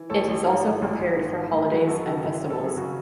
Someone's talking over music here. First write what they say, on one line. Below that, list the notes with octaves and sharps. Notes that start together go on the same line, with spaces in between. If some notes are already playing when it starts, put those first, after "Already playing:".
It is also prepared for holidays and festivals.
Already playing: E3
A1 A4 C#5
A1
G#2
E3
A1
A1
G#2
E3
A1
F#3 G#4 B4
F#2 F#4 A4
C#3 F#4 A4
G#1 E4 G#4
F#3
A4
F#2 G#4
C#3 F#4